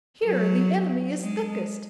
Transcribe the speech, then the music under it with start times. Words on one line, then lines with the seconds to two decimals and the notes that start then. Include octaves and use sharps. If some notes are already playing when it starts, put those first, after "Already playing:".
Here the enemy is thickest!
0.24 F#3
1.22 G#3